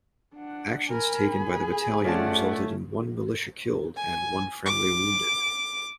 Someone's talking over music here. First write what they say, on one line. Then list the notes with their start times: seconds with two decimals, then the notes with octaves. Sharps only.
Actions taken by the battalion resulted in one militia killed and one friendly wounded.
0.35 D4 F#5
0.91 A#4 G#5 B5
1.30 G#4
2.04 A3 C#4 F4 D5 F#5 A5
3.96 G#5
4.66 D6